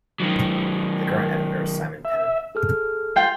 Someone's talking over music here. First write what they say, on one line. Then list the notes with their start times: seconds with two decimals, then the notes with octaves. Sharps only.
The current editor is Simon Tennant.
0.20 D#3 F#3
2.05 E5
2.55 G#4 A4 F6
3.16 F4 G5